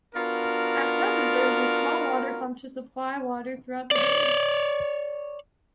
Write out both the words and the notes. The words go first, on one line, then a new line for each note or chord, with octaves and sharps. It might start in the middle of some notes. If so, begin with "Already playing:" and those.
At present there is a small water pump to supply water throughout the village.
B3 D4 F4 F#4 A#4
C#5 D5